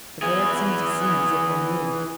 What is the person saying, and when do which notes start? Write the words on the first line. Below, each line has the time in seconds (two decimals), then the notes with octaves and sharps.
"The birds seem to sing as if they knew."
0.22 E3 G#4